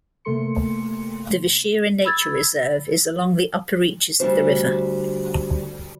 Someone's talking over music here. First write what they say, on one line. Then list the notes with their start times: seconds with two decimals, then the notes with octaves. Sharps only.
The Vishera Nature Reserve is along the upper reaches of the river.
0.25 C3 A3 A#3 A4 C6 C#7
2.05 B5 E6 G#6 A6
4.20 D2 G3 D4 F#4 C5